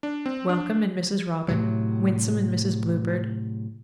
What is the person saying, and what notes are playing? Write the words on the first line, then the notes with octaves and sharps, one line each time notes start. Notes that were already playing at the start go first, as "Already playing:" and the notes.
Welcome and Mrs. Robin, Winsome and Mrs. Bluebird.
D4
C4
D4
A2 C3 F#3